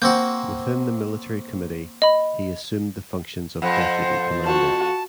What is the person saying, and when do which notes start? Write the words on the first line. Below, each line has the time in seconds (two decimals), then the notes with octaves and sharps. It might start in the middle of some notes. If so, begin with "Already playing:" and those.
Within the military committee he assumed the functions of deputy commander.
0.02 A#3 C4 F#4 G6
2.02 D#5 B5
3.62 F2 C5 F#5
4.46 F#4 A5